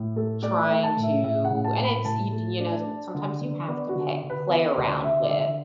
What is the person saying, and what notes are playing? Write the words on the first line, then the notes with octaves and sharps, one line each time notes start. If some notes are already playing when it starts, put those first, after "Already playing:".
trying to and it's you d you know, sometimes you have to pay play around with
Already playing: A2
A3 A4
A3 D5
E5
A3
A5
A2
E5
A2 E5
F#5
A2
A5
A2
B5
A2 A5
A3
D4
D4
D3
D3
B3 D5
F#4
D3
D3
B4
B3 B4
D2 D5
D3 E5
D5
D3 E5